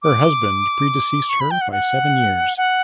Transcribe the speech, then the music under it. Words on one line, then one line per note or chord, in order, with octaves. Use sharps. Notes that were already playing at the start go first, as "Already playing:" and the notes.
Her husband predeceased her by seven years.
D6
C#6
B5
G5
F#5
F#5
F#5